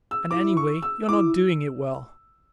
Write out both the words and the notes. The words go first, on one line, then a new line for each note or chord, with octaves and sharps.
And anyway, you're not doing it well.
E6
E4 D6
C#6
E6
E4 D6